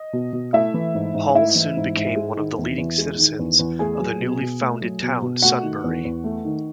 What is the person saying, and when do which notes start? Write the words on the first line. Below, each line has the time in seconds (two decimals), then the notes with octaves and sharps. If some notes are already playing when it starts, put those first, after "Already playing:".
Hall soon became one of the leading citizens of the newly founded town, Sunbury.
Already playing: D#5
0.13 B2
0.33 B2
0.53 A3 E4 E5
0.74 E3
0.94 G#2
1.14 G#2
1.35 A3 E4 E5
1.55 E3
1.77 G#2
1.97 G#2
2.16 G#3
2.37 D#3
2.58 E2
2.78 E2
2.98 G#3
3.18 D#3
3.39 E2
3.59 E2
3.79 A3 G#4 G#5
4.00 F#3
4.21 B2
4.41 B2
4.62 A3
4.82 F#3
5.02 B2
5.22 B2
5.42 A3 F#4 F#5
5.63 D#3
5.84 E2
6.05 E2
6.24 A3
6.45 D#3